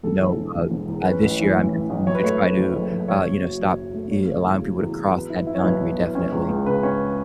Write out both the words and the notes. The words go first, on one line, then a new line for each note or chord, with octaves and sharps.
you know, uh uh, this year I'm definitely going to try to, uh, you know, stop e allowing people to cross that boundary, definitely.
E1 A4
E3
E1
E1
E1
E2
C#4 B4
A1
E3
A2
E3
A1
F#2 C#5
B4
A3 C#5
A3
F#1
F#1
F#1
F#1 C#5
F#1
F#3
F#2
F#3
A3
F#3 C#5
C#3
E2
F#3
E2
F#3
B3 B4
E4
E4
C#5
B1 B4
B3
E4
C#4
C#2
C#2
C#3 B4
C#4